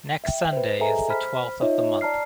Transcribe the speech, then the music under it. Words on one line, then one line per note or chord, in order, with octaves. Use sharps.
Next Sunday is the twelfth of the month.
E5 G5
B4 C5
G#4 A4 D#5 E5 G#5 A#5
C5 B5 F6 B6
D#4 F4 C#5 D#5 E5
D5 A5 A#5 F6 C7